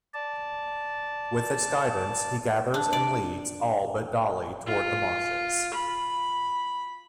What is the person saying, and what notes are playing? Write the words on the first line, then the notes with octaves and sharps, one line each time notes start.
With its guidance, he gathers and leads all but Doli toward the Marshes.
D5 A5
D4
D5
F4
B5